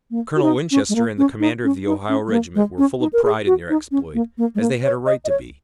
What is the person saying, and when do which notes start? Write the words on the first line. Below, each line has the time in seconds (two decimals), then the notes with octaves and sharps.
But Colonel Winchester and the commander of the Ohio regiment were full of pride in their exploit, as they had a right to be.
0.11 A#3
0.36 F#4
0.42 D#4
0.71 C#4
0.89 G#3
0.95 A#3
1.18 C#4
1.40 D#4
1.64 C#4
1.86 D#4
2.09 C#4
2.28 G#3
2.31 A#3
2.55 G#3
2.78 C#4
3.00 D#4
3.13 A#4
3.24 G#4
3.46 F#4
3.70 D#4
3.91 C#4
4.14 A#3
4.38 A#3
4.55 G#3
4.60 A#3
4.84 C#5
5.06 D#5
5.25 D#5
5.29 C#5